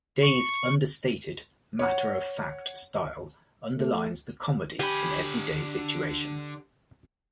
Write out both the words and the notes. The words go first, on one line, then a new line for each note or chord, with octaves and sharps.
Day's understated, matter-of-fact style underlines the comedy in everyday situations.
C#6
C#5 F#5
A3
D3 G4 G#5 B5